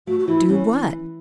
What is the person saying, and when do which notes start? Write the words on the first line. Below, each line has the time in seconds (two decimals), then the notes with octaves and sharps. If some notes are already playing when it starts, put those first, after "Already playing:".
"Do what?"
0.07 A3 F#4
0.19 F#4
0.27 E3 E4
0.48 E3 C#4